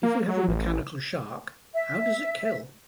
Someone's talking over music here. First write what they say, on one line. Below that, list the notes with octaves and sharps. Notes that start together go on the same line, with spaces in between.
If we have a mechanical shark, how does it kill?
A#3
F#3
A1
E5